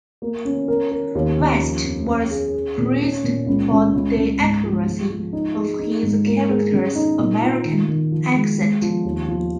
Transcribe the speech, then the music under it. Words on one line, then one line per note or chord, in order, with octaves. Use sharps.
West was praised for the accuracy of his character's American accent.
A#3
C#4
A#4
A#4
D#2
C#3
F3
F2
C#4
G#4
G#4
A#2
C#4
A#2
C#2
C#2
C#2
C#2
G#2
F3
G#3
F3
D#4
G#4
D#4
G#2
A#3
G#4
C#3
D#4
A#2
F4
D#3
D#3
F3
G#3
G#3
F3
D#2
F3